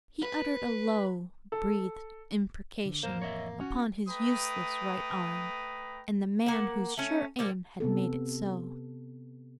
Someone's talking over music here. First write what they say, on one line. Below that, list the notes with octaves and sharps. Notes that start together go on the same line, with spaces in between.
He uttered a low, breathed imprecation upon his useless right arm, and the man whose sure aim had made it so.
B4
A4
D3
A1 F2 A#3 A#4 C5
C#5 D#5 E5
C#4 F#4
A3 B4 G5 A#5 D#6
A#3 F#5
A3 C#4
A#2 F3 G3
C3 B3 A4